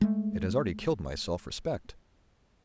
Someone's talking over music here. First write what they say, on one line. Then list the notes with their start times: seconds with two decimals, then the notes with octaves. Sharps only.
It has already killed my self-respect.
0.01 G#3 A3